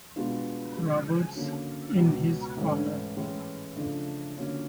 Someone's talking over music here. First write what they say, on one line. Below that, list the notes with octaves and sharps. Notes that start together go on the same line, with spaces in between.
Roberts in his honour.
B2 G#3 B3 D4 F4
C#3 F3 G#3
D3 F#3 A#3 C#4
C#2 B2 F#3
G#2 E3 A3 C#4
A2 E3 G#3 C#4
C#3 F3 A3 D4 F4
D3 F#3 A#3 C#4 F4